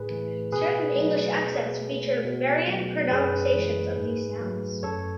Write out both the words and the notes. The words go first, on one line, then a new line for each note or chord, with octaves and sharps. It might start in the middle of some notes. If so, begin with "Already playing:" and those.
Certain English accents feature variant pronunciations of these sounds.
Already playing: A2 G#4 B4
E3 A3
B2 G#4 B4
F#3 A3
B2
A3
B2
F#3 A3
F#2 G#4 B4
E3 G#3
G#2
F#3 A3
F#2 A4 C#5